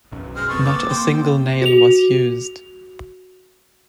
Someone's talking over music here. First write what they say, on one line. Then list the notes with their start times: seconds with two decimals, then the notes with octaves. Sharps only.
Not a single nail was used.
0.12 B1 F#2
0.36 G#3 C4 F6
0.49 F1 B3 C4 A4 C#6
0.64 A#3 D6
0.88 A#3 C5 G5
1.62 F#4 F7